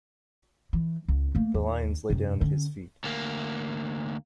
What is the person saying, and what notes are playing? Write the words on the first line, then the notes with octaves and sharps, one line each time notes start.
The lions lay down at his feet.
E3
C#2
A3 A#3
D#2
F#2 C3
D3 C#4
D2 A#3